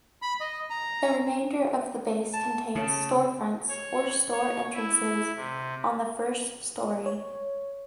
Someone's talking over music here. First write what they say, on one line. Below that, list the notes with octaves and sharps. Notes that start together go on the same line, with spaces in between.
The remainder of the base contains storefronts or store entrances on the first story.
B5
D#5
A#5
A5
C#3 A5
C#5
C#5
E4
C3
C#5